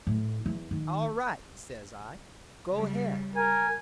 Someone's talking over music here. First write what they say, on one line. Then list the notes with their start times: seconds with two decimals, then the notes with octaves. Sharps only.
"All right," says I, "go ahead."
0.07 A2
0.46 E2
0.71 D#3
2.72 C#3 G3
3.36 A#4 G#5